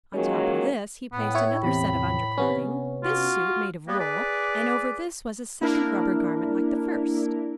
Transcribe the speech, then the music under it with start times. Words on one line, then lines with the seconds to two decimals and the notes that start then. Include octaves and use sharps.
On top of this he placed another set of under-clothing, this suit made of wool, and over this was a second rubber garment like the first.
0.14 D#3 F#3 G#3 A#3 C#4 F4
1.12 A2 B3
1.35 E4 C#5
1.64 E2 C3 B5
2.38 C3 B3 C#4
3.04 F4 F#4
3.87 G3 A#3 B3
3.99 G#4 B4 D5
5.61 A#3 D4 E4 A#4